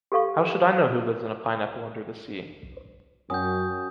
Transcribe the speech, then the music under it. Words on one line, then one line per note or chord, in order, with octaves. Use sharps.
How should I know who lives in a pineapple under in the sea?
G4 A4 F5 C#6
F#2 C#4 F#4 G5 D#6 G6